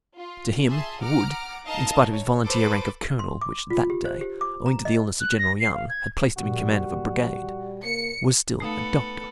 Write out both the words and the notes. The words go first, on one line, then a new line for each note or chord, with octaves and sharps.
To him, Wood, in spite of his volunteer rank of colonel, which that day, owing to the illness of General Young, had placed him in command of a brigade, was still a doctor.
F4
G#4 E5 A5 C6
F#5 A#5 D6 F6 D7
D#4 A#4 D#5 F5 A5 A#5
C#5
A4 B4 C5 D6
C6
D6
F4
G4
C5
G4
D6
A#5
D#5
F#6
A#6
C7
F5
G#6
A#1 G3 F#4
A#3 C#7
A3 B3 D#4 A4 F5